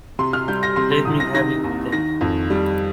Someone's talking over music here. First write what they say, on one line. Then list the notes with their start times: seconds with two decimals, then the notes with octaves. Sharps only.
Let me have it then!
0.19 C3 C6
0.33 F6
0.48 G3 G6
0.63 A#6
0.76 C3 C6
0.91 C6
1.05 C2 D#6
1.20 A#6
1.34 D#3 A#6
1.64 D#2
1.92 D#3 A#6
2.21 F2
2.50 G3